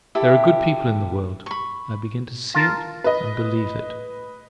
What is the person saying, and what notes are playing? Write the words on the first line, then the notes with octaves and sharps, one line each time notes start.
There are good people in the world: I begin to see it, and believe it.
E4 G4 A4 E5
B5 C#6
F4 A#4 A5
B4 D#5